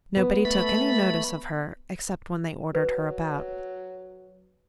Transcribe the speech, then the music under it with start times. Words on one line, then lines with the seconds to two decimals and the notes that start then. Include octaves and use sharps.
Nobody took any notice of her except when they ordered her about.
0.17 B3
0.45 A3 B5
2.75 F#3 B4